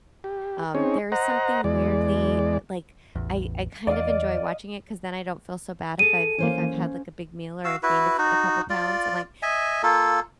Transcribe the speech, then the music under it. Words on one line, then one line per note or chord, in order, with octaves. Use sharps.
um, there is something weirdly, like, I I kind of enjoy watching it 'cause then I don't feel so bad if I've if I've had, like, a big meal or I've gained a f a couple pounds, I'm like,
G4
C4 C#4 D#4 G#4 C#5
C5 D#5 F#5 A#5
E2 G#3 D5
A1 E2
E2 D5 D#5 F5
G#4 A4 D#7
E3 A#3 C#4 C5 F5
F#4 F5 E6
E4 F#4 B4
D#4 F#4
F4 D5
D#5 E5 G#5
A#3 F4 A4